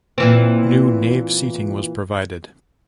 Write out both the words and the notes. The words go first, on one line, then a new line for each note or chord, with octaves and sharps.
New nave seating was provided.
A#2 E3 C4